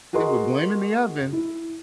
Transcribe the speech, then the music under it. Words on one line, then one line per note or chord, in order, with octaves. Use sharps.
see, we're blaming the oven.
F#4 G#4 A#4 D#5 C6
E4